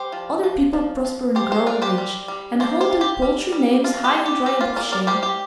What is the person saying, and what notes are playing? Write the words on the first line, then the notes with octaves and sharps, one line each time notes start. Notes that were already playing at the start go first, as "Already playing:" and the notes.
Other people prosper and grow rich, and hold their paltry names high and dry above shame.'
Already playing: G3 G4 C5
F3
F3
F3
F3
F3 G4 C5
G4 C5
D4 F4 A#4
G4 C5
G3
G3
F3 G4 C5
G4 C5
F3
G4
G3
G3
F3 F4
G4
D4
G4
G3 G4
F4
G3 F4 A#4
A#4 D5
G3 G4 C5
G4